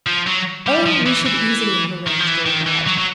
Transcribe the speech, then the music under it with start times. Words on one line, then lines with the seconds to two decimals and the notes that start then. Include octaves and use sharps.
'O, we should easily have arranged all that.
0.07 F3
0.27 F#3
0.67 G3
0.86 F3
1.06 E3
1.26 E3
2.06 D#3
2.19 F3
2.27 E3
2.46 D#3
2.67 E3
2.87 F#3
2.98 F#3